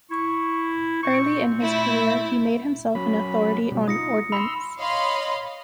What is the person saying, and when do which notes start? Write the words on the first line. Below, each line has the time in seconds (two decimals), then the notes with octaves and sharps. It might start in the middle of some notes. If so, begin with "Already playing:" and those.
Early in his career he made himself an authority on ordnance.
0.11 E4 C#6
1.03 A#2 C4 C#6
1.62 A3 E4
2.95 F#3 C#4 B5
3.71 B2 G3
3.88 D#4 F4 D#6 A#6 C#7
4.32 B5 C6 E6
4.79 C#5 D#5 F5 B5 C6